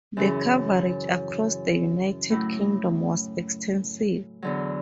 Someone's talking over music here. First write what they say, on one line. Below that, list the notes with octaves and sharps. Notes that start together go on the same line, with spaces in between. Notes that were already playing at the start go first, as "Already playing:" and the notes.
The coverage across the United Kingdom was extensive.
F#2 C#3 E3
A2 F#3 A3 E4
E2 D3 F#3